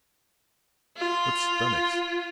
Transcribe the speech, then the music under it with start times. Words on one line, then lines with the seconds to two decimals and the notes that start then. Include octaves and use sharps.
"What stomachs!"
0.97 F4